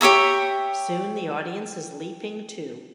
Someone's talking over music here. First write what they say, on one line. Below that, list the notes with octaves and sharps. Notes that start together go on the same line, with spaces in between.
Soon the audience is leaping too.
G4 C#5 E5 A#5